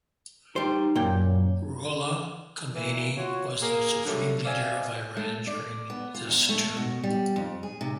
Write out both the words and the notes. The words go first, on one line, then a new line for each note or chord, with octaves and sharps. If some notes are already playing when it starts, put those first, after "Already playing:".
Ruhollah Khomeini was the supreme leader of Iran during this term.
G3 D#4 C5
F#2 A#2 F#3 A#3 G5
A#2 E3
F4 F#4 C#5
A#3 G#4 A#4
D3 F#3 G3 A3
C4 D5 E5 F5 G#5
A3
D5
B3
F4
E2
A3
B2
G3
F2
G#4
C3